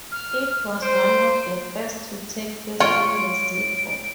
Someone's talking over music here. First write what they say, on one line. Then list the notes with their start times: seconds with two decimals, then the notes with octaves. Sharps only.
It was one of the first to take place in Mexico.
0.12 F6
0.82 C5 D7
2.80 F4 C#5 D7